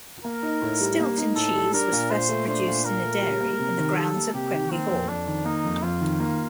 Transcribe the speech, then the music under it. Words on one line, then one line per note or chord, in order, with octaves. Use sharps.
Stilton cheese was first produced in a dairy in the grounds of Quenby Hall.
A#3 A#4
D#4
A2
G3
A#3
D#4
A2 A4
G3
D4 A#4
A#2
A#2 C5
A3
D4 C5
A#2
A#2 A#4
A3
G3
A#3
C3
D#3
G3 A4
A#3
C3 G4
D#3
A#3 C4
F2
F2 D4
D#3
A#3 D#4
F2
F2 F4
D#3
A#3